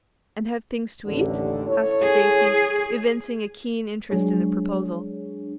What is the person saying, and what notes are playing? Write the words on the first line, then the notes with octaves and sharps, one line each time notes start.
"And have things to eat?" asked Stacy, evincing a keen interest in the proposal.
A1 D#2 D3
E4 A4 C#5
G#4
F#3 G#3 D4 G#4 C#5